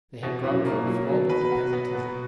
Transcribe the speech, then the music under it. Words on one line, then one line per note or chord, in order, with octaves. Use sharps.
They had dropped from swelldom to peasantism.
E2 B2
E4
F#2
F#2
A#3
G#2
A#2
F#3
B2 F#3
B4
F#4
B3
B2